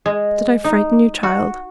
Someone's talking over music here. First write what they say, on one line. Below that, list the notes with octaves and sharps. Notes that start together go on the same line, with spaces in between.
Did I frighten you, child?
G#3
D#4
F#4